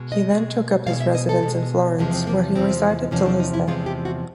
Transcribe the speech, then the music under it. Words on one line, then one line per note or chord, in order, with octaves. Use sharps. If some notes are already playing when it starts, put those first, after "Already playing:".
He then took up his residence in Florence, where he resided till his death.
Already playing: B2 G#3
D#5
B2 G#3
B2 G#3 F5
E5
D#5
A4
B2 G#3
E2 C3 F3 G#3 E4
C4
A#3
E2 C3 F3 G#3 C4
E2 C3 F3 G#3 C#4
D4
D#4
E4
E2 C3 F3 G#3 F4
G4
F#4